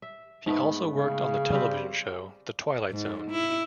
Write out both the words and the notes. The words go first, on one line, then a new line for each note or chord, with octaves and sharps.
He also worked on the television show "The Twilight Zone".
E5
G#2 A3 B3
C#3
G3 C4 B4
G#2
E4